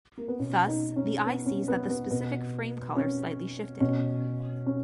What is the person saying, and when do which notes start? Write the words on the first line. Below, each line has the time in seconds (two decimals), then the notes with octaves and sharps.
Thus, the eye sees that specific frame color slightly shifted.
0.17 A#3
0.28 B3
0.39 B2 C#4
0.68 D#4
0.96 C#4
1.26 B3
1.46 C#4
1.68 B3
1.90 B3
2.11 B2 B3
2.96 C#4
3.80 B2 C#4
4.66 C#4